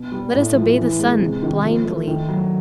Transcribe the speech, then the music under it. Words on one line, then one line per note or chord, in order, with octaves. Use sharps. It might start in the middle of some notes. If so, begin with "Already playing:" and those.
Let us obey the sun blindly.
Already playing: B2
G3
A2
F3
E3
G#3
C3
D#3
F3
A3
D#3
F#3